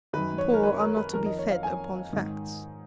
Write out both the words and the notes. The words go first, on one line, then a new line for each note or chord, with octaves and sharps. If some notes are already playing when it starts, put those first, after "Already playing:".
The poor are not to be fed upon facts.
F#2 D#3 B4
C#5
A#4
B4
A#4
B4
F2 D#3 A#4
D#5
C#5
F5
G#5
G#2 D#3